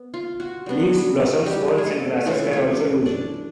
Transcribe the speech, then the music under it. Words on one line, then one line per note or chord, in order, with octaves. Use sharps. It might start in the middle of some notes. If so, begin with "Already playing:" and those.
Leaves, blossoms, ferns, and grasses were also used.
Already playing: B3
F4
F#4
G3 B3 D4
F#4
G3 G4
G#4
A3 A4
E3 G#3 A3 C#4 F4 A4
C#4 C#5
D4 D5